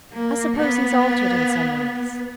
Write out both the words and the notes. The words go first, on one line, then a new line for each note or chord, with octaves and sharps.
'I suppose he's altered in some ways?'
A#3
B3